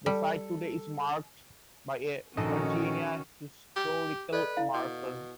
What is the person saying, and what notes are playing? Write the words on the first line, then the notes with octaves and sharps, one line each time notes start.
The site today is marked by a Virginia Historical Marker.
G3 A4
A#1 D#3 C#4 D#4 F#4 A4 D#5
G4
A4 B4 D5 D#5
E4 F5
B2